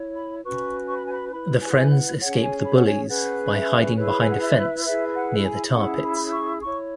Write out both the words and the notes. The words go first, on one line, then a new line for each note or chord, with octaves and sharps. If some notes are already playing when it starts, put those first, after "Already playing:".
The friends escape the bullies by hiding behind a fence near the tar pits.
Already playing: E4 C#5
B5
C#4 F#4 B4 C#6
C#6
B5
G#5
B5
E4 B4 B5
G#5
F#5
G#5
F#5
C#4 G#4 C#5 F#5
G#5
B5
F#5
G#5
C#4 G#4 B4 F#5
E5
E4 G#4 B4 C#5
B5
G#5
F#5
E5
E4 G#4 B4 E5
F#5
G#5
C#4 E4 G#4 F#5
B5
C#6
E4 C#5 C#6